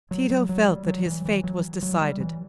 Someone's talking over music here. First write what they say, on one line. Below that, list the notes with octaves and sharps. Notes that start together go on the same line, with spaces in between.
Tito felt that his fate was decided.
F#3
F#3
F#3
G3
F#3
E3
E3
F#3
F#3
G3
E3